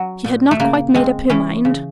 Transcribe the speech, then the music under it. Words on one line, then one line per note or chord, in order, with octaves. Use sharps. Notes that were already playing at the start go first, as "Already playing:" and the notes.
She had not quite made up her mind.
Already playing: F#3
A#2
A3
C#3 A#3
G#3 C4
E3 C#4
C#3